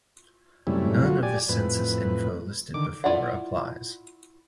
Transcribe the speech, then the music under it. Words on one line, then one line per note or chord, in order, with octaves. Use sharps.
None of the census info listed before applies.
F#2 C3 G3 A3 C#4 E4
F#3 F4 F#4
G4 D5 G#5
F2 A2 B4
D3 D#3 D6
E4 F4 D5 E5 F#5